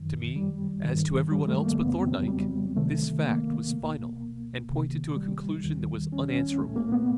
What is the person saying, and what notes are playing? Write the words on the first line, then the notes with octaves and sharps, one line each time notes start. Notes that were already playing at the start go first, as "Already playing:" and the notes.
To me, as to everyone else but Thorndyke, this fact was final and pointed to a conclusion that was unanswerable.
Already playing: F#2 D#3 F#3
G3
G2 D#3
G3
A3
A#3
F2 C#3 E3 B3
C4
F#3
G3
D2 C3 D#3 A3
A#3
C#2 B2
C2 C3 D#3
G3
D#2 D#3
C#4
C#4
C2 A#2 A3
A#3
B3